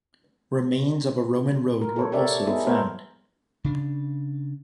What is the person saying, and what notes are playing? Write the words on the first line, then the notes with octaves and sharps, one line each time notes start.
Remains of a Roman road were also found.
A#4
A4 C#5
G4 A4 A#4 C#5 D5 E5
B3 D#4 E4 G#4 A4
A3 B3 A#4 C5 C#5 E5
C#3 D4